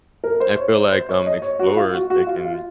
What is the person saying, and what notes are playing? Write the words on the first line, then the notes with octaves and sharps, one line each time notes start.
I feel like, um, explorers, they can
A#4
C5
C#5
C5
C5
C#5
D#5
C#5
F#4
F4
F#4
F#4
F4
F4